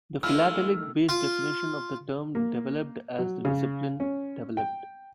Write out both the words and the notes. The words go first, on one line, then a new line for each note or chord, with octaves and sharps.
The philatelic-based definition of the term developed as the discipline developed.
D#3 G#3 A3 E4 F4 E6 F6
F4
A#3
F#3
C#3
C#4
G5